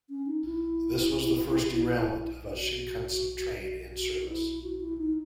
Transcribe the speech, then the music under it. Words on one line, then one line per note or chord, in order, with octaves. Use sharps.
This was the first derailment of a Shinkansen train in service.
C#4
D#4
E4
F#4
F#4
D#4
E4
F#4
E4
D#4